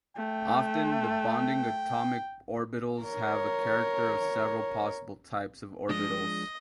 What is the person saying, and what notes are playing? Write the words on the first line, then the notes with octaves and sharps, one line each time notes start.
Often, the bonding atomic orbitals have a character of several possible types of orbitals.
A3 G5
A#4 C#5
F3 G#3 D4 D#5